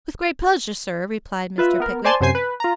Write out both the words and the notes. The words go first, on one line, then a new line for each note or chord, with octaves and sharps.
'With great pleasure, Sir,' replied Mr. Pickwick.
F4 B4 E5
B3 A#4
C5 D5 G#5 A5 C6
F#2 C3 C5 G#5 C7
B4
F4 A#5